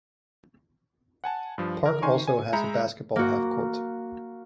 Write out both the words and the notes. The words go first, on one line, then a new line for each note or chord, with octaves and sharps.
Park also has a basketball half-court.
F#5 G#5 A5
G2 F3
A#4
D#3 G#5 C6 C#6
G#5
G#3 E5 A#5 B5 G6 C#7
A#3 F#4